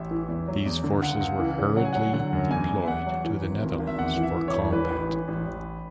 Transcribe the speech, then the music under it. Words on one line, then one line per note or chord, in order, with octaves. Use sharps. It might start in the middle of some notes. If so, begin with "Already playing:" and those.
These forces were hurriedly deployed to the Netherlands for combat.
Already playing: A1 E5
E3
E2
F#3
E2
D3
C#2 F#5
C#2
E3
C#3
F#3 F#5
G#5
F#3 F#5
D3 F#5
F#2
E2 G#5
E2
E5
E2 F#5
F#3
E3
G#1
G#1
G#1
E5
E2 F#5
E3
E5
E3
C#5
E1
E3 B4
A1
E3
A1
A1